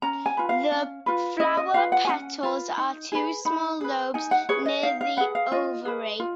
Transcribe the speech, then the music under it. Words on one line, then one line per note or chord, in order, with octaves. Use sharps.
The flower petals are two small lobes near the ovary.
C#4 A#5
G#5
F4 B4
F5
C#4
F4 B4
C#4 D#5
D#5
F4 B4 F5
F#5
G#5
C#4 F#5
F4 B4
D#4
G#4 B4
D#4 B5
G#4 B4
D#4 G#5
F#5
G#4 B4 C#5
D#5
D#4 F5
F5
G#4 B4 F#5
F5
F4 D#5
G#4 B4
F4